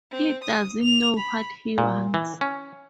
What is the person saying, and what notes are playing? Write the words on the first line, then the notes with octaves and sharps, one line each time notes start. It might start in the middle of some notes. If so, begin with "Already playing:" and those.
He doesn't know what he wants.
C4
D#6
F7
B5
A#2
E3
C#4